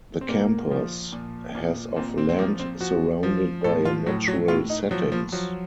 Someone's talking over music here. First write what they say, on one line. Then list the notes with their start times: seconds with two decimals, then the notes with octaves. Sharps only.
The campus has of land surrounded by a natural settings.
0.21 C4
0.29 A#2 A#3
0.71 F3
1.12 A#2
1.55 A#2
1.96 A#2 C4
2.18 C4
2.29 C4
2.39 F3 A#3
2.59 C4
2.80 F3 F#4
3.23 F3
3.64 A2 A4
3.85 F4
4.06 A2 F#3
4.28 F#3
4.48 A2 F4
4.70 D#4
4.91 F3 F#3
5.12 F3
5.32 F3 F#3